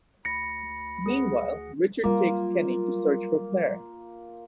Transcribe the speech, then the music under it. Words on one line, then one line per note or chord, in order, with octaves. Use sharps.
Meanwhile, Richard takes Kenny to search for Claire.
D2 B5 A#6 C#7
G#4 F#5
F#3 G3 A#3 F4